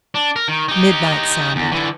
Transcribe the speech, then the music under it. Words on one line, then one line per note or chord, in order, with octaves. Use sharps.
Midnight sounded.
D4
A#4
D#3
D#4 G4
E2
D3 E3